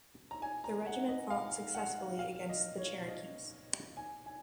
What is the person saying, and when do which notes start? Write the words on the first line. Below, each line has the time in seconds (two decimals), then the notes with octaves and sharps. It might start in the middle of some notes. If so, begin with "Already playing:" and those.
The regiment fought successfully against the Cherokees.
0.31 A#5
0.42 G#5
0.64 A#5
0.87 F#5
1.09 D#5
1.30 F5
1.75 F#5
2.19 F5
2.49 D#5
2.78 C#5
3.08 D#5
3.97 G#5
4.26 G#5